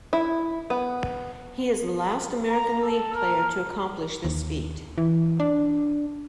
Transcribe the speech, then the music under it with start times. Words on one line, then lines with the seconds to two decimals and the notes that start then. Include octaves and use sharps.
He is the last American League player to accomplish this feat.
0.13 E4
0.70 B3
2.49 A#5
2.82 A4
3.12 A#4
4.25 D#2
4.98 E3
5.40 D4